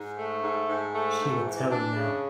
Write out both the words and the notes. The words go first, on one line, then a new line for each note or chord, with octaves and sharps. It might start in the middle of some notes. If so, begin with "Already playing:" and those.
She would tell him now.
Already playing: G#2
A3
G#2
G#2
A3
G#2
E3
D4
C#3